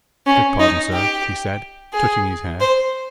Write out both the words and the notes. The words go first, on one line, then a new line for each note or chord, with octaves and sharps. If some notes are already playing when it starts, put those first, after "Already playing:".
"Beg pardon, sir," he said, touching his hair.
C#4
D#4
G4
G#4
C5